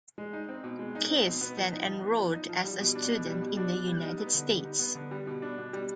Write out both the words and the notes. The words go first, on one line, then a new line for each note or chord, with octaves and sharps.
Kiss then enrolled as a student in the United States.
G#3
D#4
C4
B2
G#3
D#4
C4
B2
B3
F3
D#4
F3
B3
F3
D#4
F3
G3
B2
D4
B2
G3
B2
D4
B2
G3
D#4
B3
D3
G3
D#4
B3
D3
G3
B2
D4
B2
G3